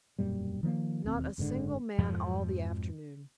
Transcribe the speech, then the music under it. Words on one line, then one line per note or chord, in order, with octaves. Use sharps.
Not a single man all the afternoon.
E1 F#2 A#2 G3
D#3 F3 G#3 A#3
E1 D#2 C4
F#1 G#2 B2 D3
F2 G#2 B2 F3